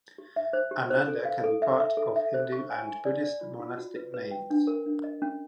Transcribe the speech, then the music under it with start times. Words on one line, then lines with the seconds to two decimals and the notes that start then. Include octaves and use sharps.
Ananda can be part of Hindu and Buddhist monastic names.
0.18 G4
0.36 E5
0.53 C5
0.71 G4
0.90 C5
1.08 A4
1.25 F5
1.44 A4
1.62 E5
1.80 E5
1.97 A4
2.16 E5
2.34 C5
2.52 C#6
2.70 G#5
2.87 G#5
3.05 D5
3.24 D5
3.41 F4
3.60 F4
3.77 F#4
3.96 B4
4.14 B4
4.31 G5
4.50 D4
4.67 A#4
4.86 D4
5.04 D#5
5.22 C#4